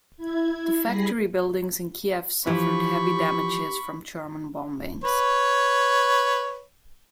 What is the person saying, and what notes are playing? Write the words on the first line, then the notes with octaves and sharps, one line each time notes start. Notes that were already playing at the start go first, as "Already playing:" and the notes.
The factory buildings in Kiev suffered heavy damages from German bombings.
E4 G#6
G3 G#4 B5 A#6 C7
E3 F3 G4 B5 C#6
B4 C#5